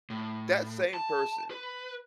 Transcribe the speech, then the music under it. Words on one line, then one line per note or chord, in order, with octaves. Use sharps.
that same person
A2
A5
B4